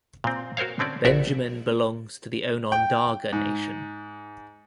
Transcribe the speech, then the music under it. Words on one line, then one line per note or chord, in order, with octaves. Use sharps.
Benjamin belongs to the Onondaga Nation.
A#2 C4
F#4 A#4 C5 C#5 F5
D3 C4 C#4 D5
A#1 F#4 D5 E5 F#5
G5
G#2